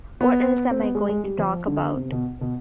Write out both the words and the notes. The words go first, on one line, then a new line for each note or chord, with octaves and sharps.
What else am I going to talk about?
B3
C4
B3
G#3
G#3
G3
F3
D3
C3
B2
B2